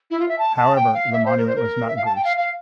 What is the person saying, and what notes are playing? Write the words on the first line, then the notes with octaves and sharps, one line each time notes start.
However, the monument was not greased.
E4
F4
E5
A5
A5
G5
F5
E5
C5
A#4
C5
A#4
E5
F5
A5
G5
F5
F5